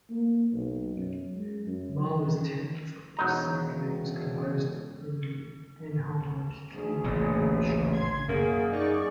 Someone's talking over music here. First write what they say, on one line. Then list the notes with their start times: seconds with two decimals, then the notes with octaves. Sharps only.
Mahler's Tenth Symphony was composed in the enharmonic key of F-sharp major.
0.10 A#3
0.52 B1
0.96 F#2
1.35 G#3
1.66 F#2
1.99 E3
2.37 C#3
3.17 E1 F#3 D#4 A#5
6.72 D2 G#4
7.04 A1 A#2 C#3
7.94 C6 G#6
8.28 F#2 F#3 A#3 G#4
8.72 D#4 G#4 D5 C#6